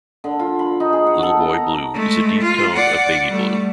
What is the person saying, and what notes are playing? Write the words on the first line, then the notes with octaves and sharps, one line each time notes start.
Little boy blue is a deep tone of baby blue.
D3
F4
B5
D#4
G#4
F#5
A4
B3
A#5
G#3 A3
F4
D5 F#5
G3 A3